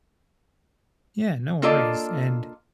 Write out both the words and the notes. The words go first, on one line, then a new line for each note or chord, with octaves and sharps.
Yeah, no worries, and,
A#3 D4 F4 A4 D5 D#5